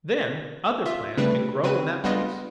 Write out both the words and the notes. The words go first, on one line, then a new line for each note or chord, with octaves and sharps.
Then other plants can grow in that place.
F4 E5
C#3 G3 A3 C4 D4 B4
C#3 C4 F#4 B4 D#7
G3 B3 D4 F4 B4 D#5